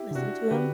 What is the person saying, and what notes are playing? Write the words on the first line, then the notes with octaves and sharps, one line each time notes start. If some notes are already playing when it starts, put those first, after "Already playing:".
listen to 'em,
Already playing: E4 G4
D3
C3 D4 F#4
D3 G4 B4